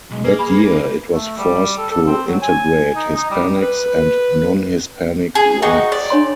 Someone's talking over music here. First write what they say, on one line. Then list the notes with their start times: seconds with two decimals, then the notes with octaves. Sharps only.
That year it was forced to integrate Hispanics and non-Hispanic whites.
0.11 B1 G#3
0.24 A#3 G#4 B4
0.39 G#4 G#5 B5
1.12 A3
1.38 G3
1.78 A4
1.91 A4
2.07 C4
2.27 F#3
2.42 G#5
2.96 D#4
3.16 D#4
3.31 G3
3.62 B4
5.35 G#4
5.62 D#4 F#4 G#4 G5
5.92 D5
6.10 D4 C#5 C6